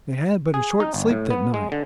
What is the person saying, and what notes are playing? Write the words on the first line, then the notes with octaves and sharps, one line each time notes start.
They had but a short sleep that night.
G#4
D#4
G1
A2
B3
G#3
D3